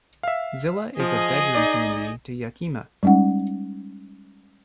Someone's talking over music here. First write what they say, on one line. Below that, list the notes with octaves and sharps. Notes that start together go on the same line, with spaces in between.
Zillah is a bedroom community to Yakima.
E5 F5
F3 G#4 D#5
D#4 D5
G3 G#3 C#4 D#4 F#5